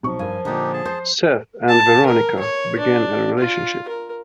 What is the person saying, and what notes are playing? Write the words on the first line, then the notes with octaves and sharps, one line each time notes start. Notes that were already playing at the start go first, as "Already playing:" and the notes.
Seth and Veronica begin a relationship.
B1 F3 D#4 C#6
G2 A#4 F5 G#5
A#2 D3 D4 D#4 G4
G#4 A5
C5 G6 C7
A5
A#4
C#5
D4
F4
A#4